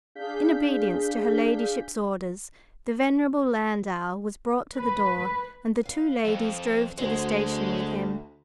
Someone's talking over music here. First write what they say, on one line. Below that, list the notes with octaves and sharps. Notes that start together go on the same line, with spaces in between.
In obedience to her ladyship's orders, the venerable landau was brought to the door; and the two ladies drove to the station with him.
D4 G#4 F5 G6 B6
B4
B4 F5
F2
D2 G#3 F#4 C5